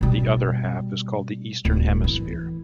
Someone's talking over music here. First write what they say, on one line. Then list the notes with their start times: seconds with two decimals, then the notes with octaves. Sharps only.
The other half is called the Eastern Hemisphere.
0.01 B2 G3
1.65 D1
2.04 E3